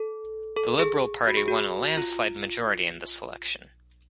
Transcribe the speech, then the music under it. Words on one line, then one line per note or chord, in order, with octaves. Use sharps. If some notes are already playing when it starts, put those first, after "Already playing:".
The Liberal Party won a landslide majority in this election.
Already playing: A4
A4
G#4
F#4
G#4
F#4
F4